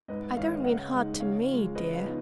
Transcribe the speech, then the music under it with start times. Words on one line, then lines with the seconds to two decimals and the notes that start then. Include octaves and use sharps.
I don't mean hard to me, dear.
0.08 G#2 B4 D#5
0.37 D#3 G#3 C#5 F5
0.64 C#3 D#5 F#5
0.93 G#3 D#4
1.20 C#3 C#5 F5
1.47 F3
1.53 G#3
1.75 C#3 B4 D#5
1.93 C#5 F5
2.03 F3 B3 D#4